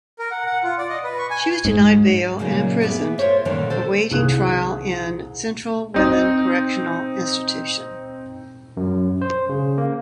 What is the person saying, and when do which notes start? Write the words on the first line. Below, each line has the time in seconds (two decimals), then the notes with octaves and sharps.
She was denied bail and imprisoned await trial in Central Women Correctional Institution.
0.19 A#4
0.31 F#5
0.46 F#5
0.63 F4
0.78 D5
0.89 D#5
1.04 B4
1.19 C#6
1.31 G#5
1.65 G#2
2.39 A#2 C#3 F#3 A#3 D#4 G#4
2.81 B3 G4 G#4 B4 E5
3.18 F4 A#4 C5 C#5 E5
3.45 A#2 D3 D#3 G3 C#4 D4
3.70 A4 C5
4.11 C2 C3 D#3 A#3 G#4 F#6
5.94 C4 D#4
8.77 F#2
9.22 C5
9.49 C#3
9.78 A#3